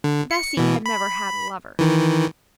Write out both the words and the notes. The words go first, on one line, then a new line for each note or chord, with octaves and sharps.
Bessy had never had a lover.
D3
C#7
B2 E3
B5
D#3 E3